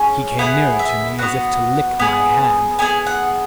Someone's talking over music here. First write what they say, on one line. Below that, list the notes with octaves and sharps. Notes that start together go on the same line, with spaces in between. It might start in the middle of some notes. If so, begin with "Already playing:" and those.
He came nearer to me as if to lick my hand.
Already playing: C#4 G#4
B3 E4 G#4 F#5
E5
B3 F#4 F#5
B3 G#4
B3 E4 G#4 G#5
F#5